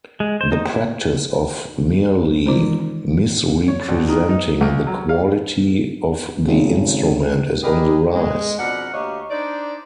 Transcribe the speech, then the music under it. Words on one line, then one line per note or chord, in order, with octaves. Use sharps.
The practice of merely misrepresenting the quality of the instrument is on the rise.
G#3
C5
D#4
E4
D#3 E3 G#3 D#4 F4 C5
C#5
D2
D#3
D#4
C#2
F#3
F5
G#1 C#3
G4 G#4 A#4 B4 D5 D#5
G#3
F2 B2 D4 A#4 F#5
D2 A#3 G4 C#5 D#5 F5
D4 D#4 C5 D5